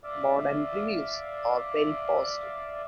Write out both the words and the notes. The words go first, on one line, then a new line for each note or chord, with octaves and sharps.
Modern reviews are very positive.
D5 E5 F5 D6